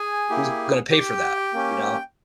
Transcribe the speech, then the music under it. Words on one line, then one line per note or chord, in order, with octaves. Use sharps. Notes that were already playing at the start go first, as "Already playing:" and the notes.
who's gonna pay for that? You know?
Already playing: G#4 G#5
A#3 E4 G4
G4 G5
A#3 C#4 G4